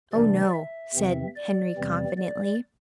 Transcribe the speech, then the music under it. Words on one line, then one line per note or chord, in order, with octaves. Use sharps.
"Oh, no," said Henry confidently.
C3 E3 A3 D4 D5
E5
E2 C3 E3 C4
D5
E2 C3 E3 G3 C4
D5